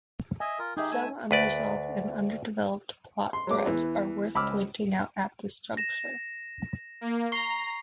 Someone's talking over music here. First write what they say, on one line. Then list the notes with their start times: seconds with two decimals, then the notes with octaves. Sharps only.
Some unresolved and underdeveloped plot threads are worth pointing out at this juncture.
0.40 D#5 E5 G#5
0.59 F4 A#4
0.77 D#4 G4 G#4 E5
0.91 A3 G#5 E6
1.31 D2 B4 D5
3.33 C6
3.47 F#3 G#3 D6
3.66 E2 E3
4.35 C#2 B5 D6 E6 F6
5.77 A#6 E7
7.01 A#3
7.32 A#5 C#6 C7